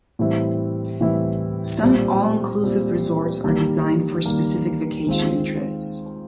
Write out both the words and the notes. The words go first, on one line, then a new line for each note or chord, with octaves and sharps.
Some all-inclusive resorts are designed for specific vacation interests.
A2 E3 G3 C4 E4
A2 E3 G3 C4 E4
A#2 G3 C4
A#2 G3 C4
D#3 G3 A#3
D#3 G3 A#3
D#3 G#3 C4 F4